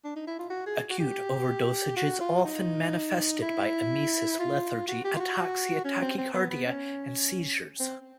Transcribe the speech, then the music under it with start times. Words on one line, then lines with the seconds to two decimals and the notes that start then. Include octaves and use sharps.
Acute overdosage is often manifested by emesis, lethargy, ataxia, tachycardia and seizures.
0.05 D4
0.16 D#4
0.27 E4
0.39 F4
0.50 F#4
0.67 G#4
0.90 F#4
0.99 G4
1.96 F#4
2.20 F4
2.44 D#4
3.42 E4
4.39 F4
4.88 F#4
5.04 G4
5.16 F4
5.20 F#4
5.84 C#4
6.02 C4
6.18 C4
6.34 B3
6.50 B3
6.65 C#4
7.80 C4